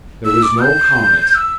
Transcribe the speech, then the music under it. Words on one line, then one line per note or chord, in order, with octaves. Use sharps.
There was no comment.
E6
D6
G6
E6